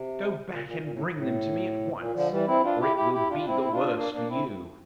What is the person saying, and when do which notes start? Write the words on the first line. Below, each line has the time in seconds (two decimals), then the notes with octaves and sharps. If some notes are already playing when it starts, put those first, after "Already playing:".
Go back and bring them to me at once, or it will be the worse for you.'
Already playing: C3
0.48 A#2
0.64 A#2
0.81 A#2
0.91 A2
1.14 A2
1.97 A#2
2.14 D3 F3
2.30 E3 G3
2.47 C4 E4
2.63 D4 F4
2.80 E4 G4
2.96 E4 G4
3.13 E4 G4
3.30 D4 F4
3.40 D4
3.46 C4 E4
3.61 E4
3.72 D4 F4
3.96 A#3 D4
4.13 A#3 D4
4.29 C4 E4